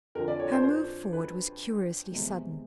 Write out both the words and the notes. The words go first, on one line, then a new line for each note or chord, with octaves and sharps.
Her move forward was curiously sudden.
F2 D3 F3 A#4
D5
C#5
C5
C5
B4
E2 C3 E3 G#3